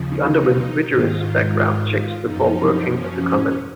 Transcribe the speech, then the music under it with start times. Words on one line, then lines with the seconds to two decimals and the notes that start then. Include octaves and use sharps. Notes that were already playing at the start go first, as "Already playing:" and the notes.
He underwent rigorous background checks before working at the company.
Already playing: D#2 C#3 F3
0.20 D#4
0.88 G#2 D#3 F4
1.56 F4
2.24 F#2 F3 D#4
2.92 C#4